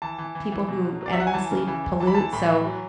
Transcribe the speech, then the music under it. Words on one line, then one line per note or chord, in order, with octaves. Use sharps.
people who endlessly pollute, so
E3 A5
E3
E3
E3
B2
F#3
F#3
D5
E5
F#3 F#5
G#5
E3 A5
C#3
E3
E3
E3 A5
B5
E3 A5
A2 B5
E3
F#3